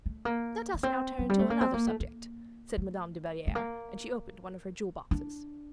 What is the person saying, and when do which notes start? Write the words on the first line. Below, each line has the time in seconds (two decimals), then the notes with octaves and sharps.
"Let us now turn to another subject," said Madame de Belliere; and she opened one of her jewel-boxes.
0.06 A3
0.25 A#3
0.74 A#3
0.83 C4
1.19 F#3
1.29 G3
1.39 A3
1.50 A#3
1.61 C4
1.74 A#3
1.87 A3
2.00 A#3
2.78 A3
3.47 A3
3.55 A#3
5.11 D4